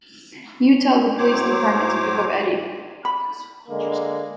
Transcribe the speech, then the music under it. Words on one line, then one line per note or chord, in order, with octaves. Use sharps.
You tell the police department to pick up Eddie.
A2 F#3 C5 C#5 D6
B5
D3 G#3 A#3